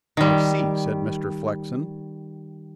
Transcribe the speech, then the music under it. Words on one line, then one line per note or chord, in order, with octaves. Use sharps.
"I see," said Mr. Flexen.
D#3 G3